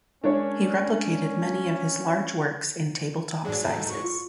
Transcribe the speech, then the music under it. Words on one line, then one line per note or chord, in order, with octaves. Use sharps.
He replicated many of his large works in table-top sizes.
G#3 C#4 D4 A#4 C#5
G#2 F#3 D4 G#4
D#4 A4
C#6
F4